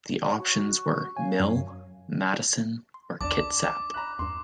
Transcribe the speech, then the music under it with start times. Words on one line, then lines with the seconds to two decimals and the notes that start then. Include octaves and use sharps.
The options were "Mill", "Madison" or "Kitsap".
0.23 C#5 F#5
0.38 F#4 C#6
1.17 C#5 F5 G#5
1.40 F#2
2.94 C6
3.21 B1 E2 D4 D5 A5 D6
3.94 A#5 B5 F#6
4.19 E2 G2 C6